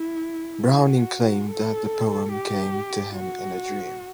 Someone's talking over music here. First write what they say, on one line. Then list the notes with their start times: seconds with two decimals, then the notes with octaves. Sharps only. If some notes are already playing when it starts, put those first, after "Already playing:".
Browning claimed that the poem came to him in a dream.
Already playing: E4
0.67 F#4
1.50 A4
2.33 G4
3.16 F#4